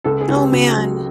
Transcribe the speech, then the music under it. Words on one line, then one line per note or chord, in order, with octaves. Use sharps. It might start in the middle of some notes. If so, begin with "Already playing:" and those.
Oh, man.
C#2 A4
G#4
C#2
G4
C#3 F#4
F#3